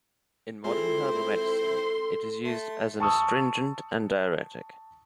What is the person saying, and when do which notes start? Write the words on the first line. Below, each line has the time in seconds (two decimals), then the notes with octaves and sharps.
In modern herbal medicine it is used as an astringent and diuretic.
0.64 G#3 C4 E4 F4 G#4 A4 C5 C6
2.45 A3 C6
3.00 A5 C#6 D#6 E6